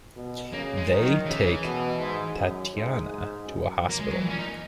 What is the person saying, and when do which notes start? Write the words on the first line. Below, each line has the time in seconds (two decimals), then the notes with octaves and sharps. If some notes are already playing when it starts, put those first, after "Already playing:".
They take Tatiana to a hospital.
0.16 B2
0.53 C#3 A#3
0.77 G#3
0.90 D#3
1.01 F#3
1.26 C#3 E3
1.63 B2
1.99 G#2
2.37 F#2
2.74 G#2
3.10 G#2
3.47 F#2
3.89 A#3
4.00 G#3
4.11 F#3
4.21 A#2 E3
4.30 C#4
4.39 D#4